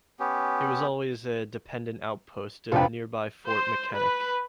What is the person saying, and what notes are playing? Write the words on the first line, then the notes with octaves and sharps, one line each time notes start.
It was always a dependent outpost of nearby Fort Mackinac.
B3 C#4 G4
F1 F3 D4 B4 G5
C5
B4